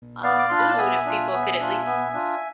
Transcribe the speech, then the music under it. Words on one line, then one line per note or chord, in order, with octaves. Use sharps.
uh, food if people could at least
B3 D5 F5
D6
D4 F4 C6
B5
A5
B3 E5 G#5
D4 F4
B3
D4 F4
B3
D4 F4